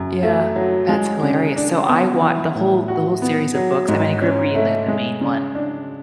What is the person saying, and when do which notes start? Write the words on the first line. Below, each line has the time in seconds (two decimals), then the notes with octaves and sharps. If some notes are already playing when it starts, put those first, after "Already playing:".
Yeah. That's hilarious. So, I wa the whole the whole series of books I mean, I grew up reading, like, the main one.
Already playing: F#2 C#3
0.23 A3
0.56 F#3
0.89 G#3
1.23 C#3
1.56 D4
1.88 B3
2.22 E3
2.55 A2
2.88 F#4
3.22 B3
3.55 F#3
3.88 G#2
4.22 C#4
4.55 A3
4.88 G#3
5.21 C#3
5.55 D4